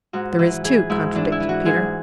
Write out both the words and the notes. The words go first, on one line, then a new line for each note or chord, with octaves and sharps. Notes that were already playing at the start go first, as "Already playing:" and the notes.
"There is too," contradicted Peter.
G#2 F#4
E3
E3 G#4
G#2 E4
E3 D4
E4
E3
F#4
G#2 G#4